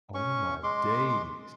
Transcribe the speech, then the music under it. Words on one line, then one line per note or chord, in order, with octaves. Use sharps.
Oh my days.
C#4 C#6
G#3 C6 D6